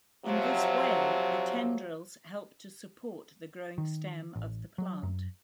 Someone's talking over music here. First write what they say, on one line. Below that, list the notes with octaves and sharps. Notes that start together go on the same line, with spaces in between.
In this way, the tendrils help to support the growing stem of the plant.
C3 F3 F#3
D#3
A1
F#3
F#2